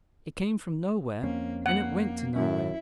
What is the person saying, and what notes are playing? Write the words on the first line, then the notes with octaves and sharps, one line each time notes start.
It came from nowhere, and it went to nowhere.
F2 A#3 C4 C#4
A#3 F#5
F#2 D#3 C#4 E4